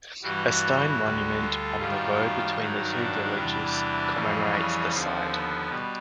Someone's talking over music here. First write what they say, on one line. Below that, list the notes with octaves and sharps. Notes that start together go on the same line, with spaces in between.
A stone monument on the road between the two villages commemorates the site.
G2 E3 G3 F#4
D2 D3 G3
F4
F#2 D#3 G3 F4
G2 D#3 F#3 D#4
D4
E2 C3 E3 G3
F2 C#3 E3 G3
C#4
D#2 D3 F3 C4
B3
B2 G3